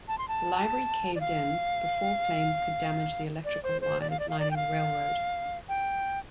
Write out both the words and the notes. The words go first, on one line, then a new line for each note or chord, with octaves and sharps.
The library caved in before flames could damage the electrical wires lining the railroad.
A5
C6
A5
D5
F5
D5
C5
C5
D5
F5
D5
F5
D5
G5
F5
G5